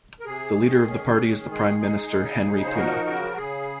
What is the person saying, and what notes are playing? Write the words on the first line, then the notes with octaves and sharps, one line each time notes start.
The leader of the party is the Prime Minister Henry Puna.
A#4
C3 G#4
D#3
C#4
D#3
G#3 G#4
D#4
C#3
D#4
C5
F3 F#4 A#4
C#3 F#4 A#4
F#4
C#3 G#4